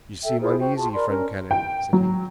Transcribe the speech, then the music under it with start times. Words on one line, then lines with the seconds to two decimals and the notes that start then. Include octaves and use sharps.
"You seem uneasy, friend Kennedy," said he.
0.24 A4 E5 G5
0.40 E4 F4 G#4 C5
0.59 F#4 C5 G5
0.76 F4 F#4 G#4 A5
0.93 A#4 D5 B5 C6
1.09 C#4 A#4
1.51 G5
1.93 F#3